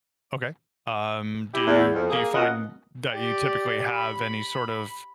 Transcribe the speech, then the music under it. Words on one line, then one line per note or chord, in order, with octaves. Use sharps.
Okay, um, do you do you find that you typically have any sort of
E4 G4
E2
F2
A#3 G#4
B2 C#4 F4 A#4 D#5 F#5
G4 D5
B5